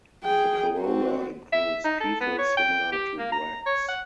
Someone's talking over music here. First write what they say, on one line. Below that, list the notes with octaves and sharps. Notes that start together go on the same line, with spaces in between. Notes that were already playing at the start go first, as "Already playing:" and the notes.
The corolla includes petals similar to bracts.
G#4 G5
C4 F#4
E5
D#4
A4
B3
C#5
G5
G4
A#3
A#5
C#5
F#5